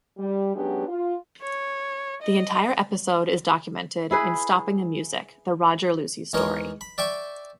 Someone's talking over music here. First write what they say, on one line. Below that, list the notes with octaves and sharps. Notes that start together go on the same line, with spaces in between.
The entire episode is documented in Stopping the Music: The Roger Lucey Story.
G3
F#3 G#3 B3 C#4 D4 G4
F4
C#5
D#5
E4 G#4 B4
E2 G#3 D#4 A#4 C#5
B5
D5 E5 G5 C#6